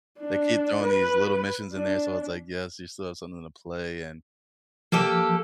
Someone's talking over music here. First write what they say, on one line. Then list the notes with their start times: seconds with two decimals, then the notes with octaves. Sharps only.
they keep throwing these little missions in there, so it's, like, yes, you still have something to play and
0.20 D4
0.83 B4
1.73 D4
4.92 F3 A#3 G4 A4